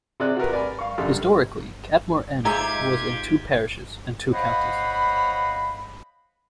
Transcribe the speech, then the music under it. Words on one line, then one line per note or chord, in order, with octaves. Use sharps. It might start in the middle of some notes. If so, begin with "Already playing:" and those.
Historically Cadmore End was in two parishes and two counties.
C3 C4 G#4 D5 F#6
F#4 G4 A#4 B4
A#4 D5 G#5 B5
F5 C#6
F#2 D3 G3 A4 C6 F6
G#2 G#3 D#4 F4 G4 E5 A#5 G#6
C5 C#5 D#5 F5 F#5 B5